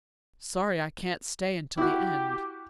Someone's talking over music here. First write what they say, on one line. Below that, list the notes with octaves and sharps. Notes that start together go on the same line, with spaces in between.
Sorry I can't stay until the end.
E4 F#4 G4